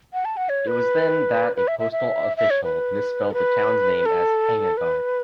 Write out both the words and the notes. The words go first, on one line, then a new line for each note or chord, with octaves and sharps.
It was then that a postal official misspelled the town's name as "Henagar".
F#5
A5
F#5
C#5
B4
B4
E5
E5
E5
E5
C#5
B4
A4
B4
A4
B4